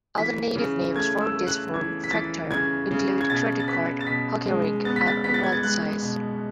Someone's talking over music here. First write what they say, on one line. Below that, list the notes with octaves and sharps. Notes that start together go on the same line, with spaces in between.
Alternative names for this form factor include "credit card," "hockey rink," and "wallet-size".
E3 B6
C#3
A3 G#6
E6
A3
F#6
E3 G#6
B6
E3 A6
C#3 G#6
C#3
G#6
B2 A6
A6
B3 B6
A6
B2 B6
G#3
B3 A6
B6
A6
B3 B6
A6
G#6
A6
G#3 F#6
B2